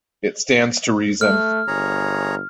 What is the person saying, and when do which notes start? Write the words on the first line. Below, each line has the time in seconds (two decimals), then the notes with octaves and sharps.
It stands to reason.
1.21 A3 F6
1.68 G1 G#4 C#5 A#5